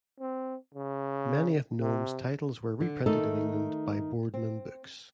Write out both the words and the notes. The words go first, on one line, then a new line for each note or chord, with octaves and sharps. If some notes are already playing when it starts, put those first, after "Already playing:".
Many of Gnome's titles were reprinted in England by Boardman Books.
C4
C#3
C3
D3
D#3 A3 D#4 A4
C4